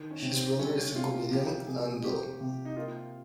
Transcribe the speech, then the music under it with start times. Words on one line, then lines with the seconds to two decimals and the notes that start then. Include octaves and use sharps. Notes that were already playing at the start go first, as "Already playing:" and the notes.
His brother is the comedian Anh Do.
Already playing: D#3
0.11 C#4
0.22 C3
0.34 C4
0.59 G3 C#4
0.95 C3 F4
1.31 F3 G4
1.67 C3 G#4
2.04 C4 G4
2.41 C3
2.65 D#4
2.76 A#3 F4